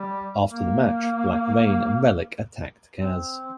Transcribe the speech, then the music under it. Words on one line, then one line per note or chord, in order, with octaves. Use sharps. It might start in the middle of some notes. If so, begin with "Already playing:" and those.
After the match, Black Reign and Rellik attacked Kaz.
Already playing: G3
A#3
C4